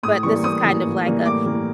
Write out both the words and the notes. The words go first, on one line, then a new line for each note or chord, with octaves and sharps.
but this was kind of like a,
A2 D#6
E3 G3 A#3 C#6
A2 D#6
E3 G3 A#3
A2
E3 G3 A#3
A2 D6
E3 G3 A#3